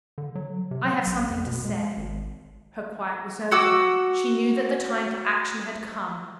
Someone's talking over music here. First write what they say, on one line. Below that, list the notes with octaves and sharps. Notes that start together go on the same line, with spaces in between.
"I have something to say." Her quiet was over; she knew that the time for action had come.
D3
F#3
C3
F#3
A#1
F2
B2
G#3
G#1
F#4 F#5 D6 E6